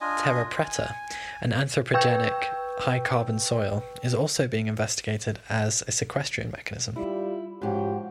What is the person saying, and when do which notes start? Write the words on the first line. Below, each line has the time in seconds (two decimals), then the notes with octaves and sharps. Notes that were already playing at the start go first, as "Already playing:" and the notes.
Terra preta, an anthropogenic, high-carbon soil, is also being investigated as a sequestration mechanism.
0.01 D4 F4 D#5 G#5
0.64 G#5
1.94 B4 G5 C#6 E6 G6
6.96 G3 E4 F4
7.62 G#2 F3 C#4 F#4 G4